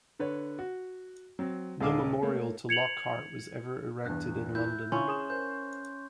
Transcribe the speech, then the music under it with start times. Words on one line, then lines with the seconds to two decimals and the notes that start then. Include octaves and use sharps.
No memorial to Lockhart was ever erected in London.
0.19 D3 B4 C#5
0.59 F#4
1.39 F#3 C4
1.80 D#1 G#3 G#4 F5 D6 E6
2.22 A3 A#3 C#5
2.69 G#6 C#7 F7 F#7
4.05 E2 G2 F#6
4.55 E4 G6
4.92 D3 C#4 E4 F4 C6 C#6
5.08 G#4 D#6 E7
5.30 A#4 C5 G6